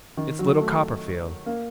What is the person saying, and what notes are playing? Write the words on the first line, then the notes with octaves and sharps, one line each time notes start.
'It's little Copperfield!'
D#3
F#3
A3
A#3